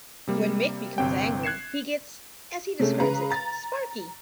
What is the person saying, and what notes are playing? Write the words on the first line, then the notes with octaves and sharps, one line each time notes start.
When Mick becomes angry, he gets, as he describes it, sparky.
C3 G3 A#3
G1 C3 C4 G5
F#6 G#6 C7 C#7 E7
C3 G#3 A3 C#4
C#3 G#3 B4 A#5
A#5 A6